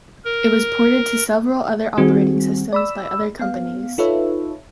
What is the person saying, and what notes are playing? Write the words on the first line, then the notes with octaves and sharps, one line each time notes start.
It was ported to several other operating systems by other companies.
A#4
D#3 G3 C4 F#4 G#4
D5 B5 E6
B3 F5
D#4 F4 A4 B4 C#5 E5